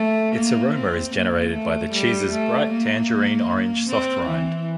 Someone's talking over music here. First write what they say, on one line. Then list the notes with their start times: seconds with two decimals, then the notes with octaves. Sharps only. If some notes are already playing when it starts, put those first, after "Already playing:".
Its aroma is generated by the cheese's bright tangerine-orange soft rind.
Already playing: A3
0.36 A#3
0.76 C4
1.14 A#3
1.53 A3
1.93 G3
2.31 A3
2.71 A#3
3.87 C4
4.27 E3